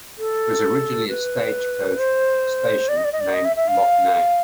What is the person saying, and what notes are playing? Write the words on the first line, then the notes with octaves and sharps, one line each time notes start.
It was originally a stagecoach station named Locknane.
A4
B4
C5
D5
D#5
D5
D#5
D5
D#5
E5
E5
F5